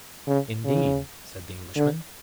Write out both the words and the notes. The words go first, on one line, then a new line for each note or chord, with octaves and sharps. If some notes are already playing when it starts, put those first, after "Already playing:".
"Indeed!" said the Englishman.
C#3
C#3
D3